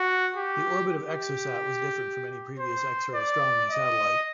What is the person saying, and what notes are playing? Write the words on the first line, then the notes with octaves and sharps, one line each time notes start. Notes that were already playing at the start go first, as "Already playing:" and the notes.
The orbit of Exosat was different from any previous X-ray astronomy satellite.
Already playing: F#4
G4
G4
C5
D5
D#5